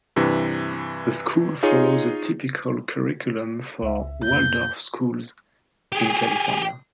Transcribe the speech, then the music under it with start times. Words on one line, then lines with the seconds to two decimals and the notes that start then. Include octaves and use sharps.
The school follows a typical curriculum for Waldorf schools in California.
0.16 G2 C3 E3
1.63 D#4 F4 G#4 C#5 D#5
3.82 C#2 E5
4.24 F2 A#3 G6
5.92 G4 G#4